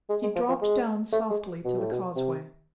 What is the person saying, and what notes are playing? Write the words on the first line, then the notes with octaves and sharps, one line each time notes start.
He dropped down softly to the causeway.
G#3
G#3
F3
F3
G#3
A3
G#3
B2
A2
B2
C3